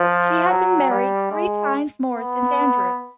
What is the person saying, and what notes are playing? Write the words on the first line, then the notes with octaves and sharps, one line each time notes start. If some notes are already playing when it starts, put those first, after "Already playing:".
She had been married three times more since Andrew.
Already playing: F3
F#3
G3
G#3
B3